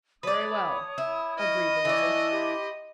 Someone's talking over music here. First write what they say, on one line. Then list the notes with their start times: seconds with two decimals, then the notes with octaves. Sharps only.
"Very well," agreed the Wizard.
0.23 B4 C#5 D5 A5 D#6
0.98 E4
1.39 D#5 C#6 F6
1.85 E3 D4 C#6 D6 E6
2.32 G4 B5 C6